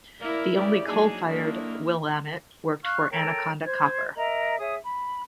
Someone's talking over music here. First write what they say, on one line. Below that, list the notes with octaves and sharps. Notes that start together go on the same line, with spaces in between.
The only coal-fired Willamette worked for Anaconda Copper.
A#3 E4 A#4 D5
C#3 G4 D5
F#3 A#3 D4 D#4 G#4
D3 D#3 A#3 D4 E4
F5 C#6 F6 F#6
A4 A#4 C#5 G5
C5 G#6
A#4 D#5 E5 A#5
G#4 C#5 E5 D#6
B5